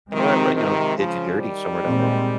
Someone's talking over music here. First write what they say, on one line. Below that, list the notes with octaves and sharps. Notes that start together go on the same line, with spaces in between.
l l, you know, did you dirty somewhere down the ro
C3 D#3 F3 G#3 C4
C3 D#3
C#3 F3
D#3 G3
A#2 G#3 C4